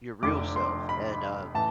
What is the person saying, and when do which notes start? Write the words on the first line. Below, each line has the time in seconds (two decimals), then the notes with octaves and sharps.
your real self and, um,
0.23 F1 F2 D3 D6
0.56 C6
0.89 B5
1.54 A2 E3 A5